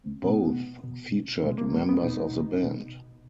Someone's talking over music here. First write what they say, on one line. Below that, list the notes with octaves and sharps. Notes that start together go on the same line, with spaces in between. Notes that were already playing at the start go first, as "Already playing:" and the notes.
Both featured members of the band.
B2 B3
B2
B2 G#3
A#3
G#3
B3
B2 D#4
B2